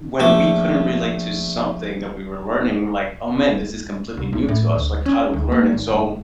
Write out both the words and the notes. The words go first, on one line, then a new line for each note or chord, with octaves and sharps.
when we couldn't relate to something that we were learning, we're like, "Oh man, this is completely new to us, like, how do we learn it?" So,
A#1 A3 D6
C2
B1
A2
D2
C#4
D2
A#3
G#1
G1